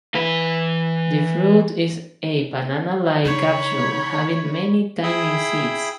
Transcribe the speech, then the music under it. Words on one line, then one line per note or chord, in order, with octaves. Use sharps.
The fruit is a banana-like capsule having many tiny seeds.
E3 B4
C#3 D4 D#4 C#5 B5
E4 G#4 G5 B5 D#6 E6